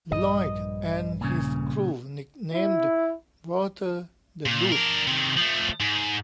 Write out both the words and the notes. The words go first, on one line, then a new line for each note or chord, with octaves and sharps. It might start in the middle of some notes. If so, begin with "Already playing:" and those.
Lloyd and his crew nicknamed Walter "The Dude".
A#1 G2 G3 D#5
A#2 C#3
E4
A#2
D4 A#4
C3 D#3
F3 A3
G#2